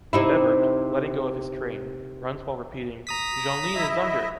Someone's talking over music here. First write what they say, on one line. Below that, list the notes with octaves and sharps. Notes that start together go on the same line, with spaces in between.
Bebert, letting go of his train, runs while repeating--- Jeanlin is under!
C3 D#4 E4
A#5 D#6 B6
E4 D#5 E5